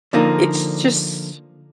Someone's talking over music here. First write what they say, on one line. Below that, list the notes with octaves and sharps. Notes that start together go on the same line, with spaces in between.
it's just
D3 F3 A#3 D#4